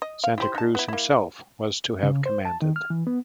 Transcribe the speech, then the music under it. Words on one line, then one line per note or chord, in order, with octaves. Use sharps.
Santa Cruz himself was to have commanded.
D#5
F5
E4 G4 C5
D#4 A5
B3 E4
A#3 E4
C#3
C5
A5
D#3
F6
E3
B3